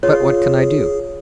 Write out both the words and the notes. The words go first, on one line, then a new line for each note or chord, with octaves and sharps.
But what can I do?
F4 G#4 C#5